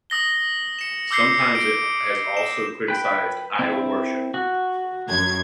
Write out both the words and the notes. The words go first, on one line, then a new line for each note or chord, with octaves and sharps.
Sometimes it has also criticised Idol worship.
D#6 A#6 G7
C#7 E7
D6 E6 G6 C7 C#7
D7
E7
B4 G5
C4 E4
F#4
F#2 G#6